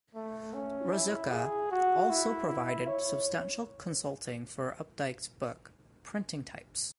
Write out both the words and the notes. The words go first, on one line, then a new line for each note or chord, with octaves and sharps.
Ruzicka also provided substantial consulting for Updike's book "Printing Types".
A3
C#4
E4
G#4
F#4
E4
E4
C#5